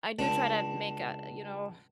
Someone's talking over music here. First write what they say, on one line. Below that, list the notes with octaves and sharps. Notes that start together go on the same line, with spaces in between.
I do try to make, uh, you know,
C#2 D4